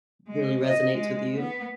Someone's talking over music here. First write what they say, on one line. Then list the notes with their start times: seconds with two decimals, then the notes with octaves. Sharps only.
really resonates with you?
0.28 G#3
0.63 D#5
0.95 G#3
1.37 B3